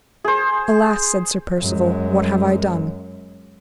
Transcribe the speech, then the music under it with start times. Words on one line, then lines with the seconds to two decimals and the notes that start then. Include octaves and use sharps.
Alas, said Sir Percivale, what have I done?
0.24 G#4 C5
1.59 F#2 G#3